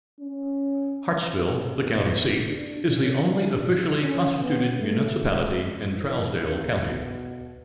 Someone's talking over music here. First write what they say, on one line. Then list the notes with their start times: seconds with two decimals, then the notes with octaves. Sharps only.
Hartsville, the county seat, is the only officially constituted municipality in Trousdale County.
0.20 C#4
1.35 B3
1.72 B3
2.12 B3
2.49 D4
2.88 C#4
3.26 D4
4.02 C#4
4.42 B3
4.79 A3
5.18 G#3
5.95 E3
6.33 C#3
6.71 B2